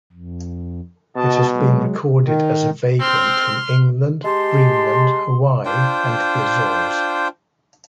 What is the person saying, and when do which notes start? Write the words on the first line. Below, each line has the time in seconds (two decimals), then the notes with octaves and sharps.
It has been recorded as a vagrant in England, Greenland, Hawaii, and the Azores.
0.13 F2
1.16 B2 F#4 D#5 A5
1.54 F#3 G#3
2.26 D#3
3.01 C4 C6 F6
4.25 G#3 G4 A5 C6
5.65 D4 F4 C5 G5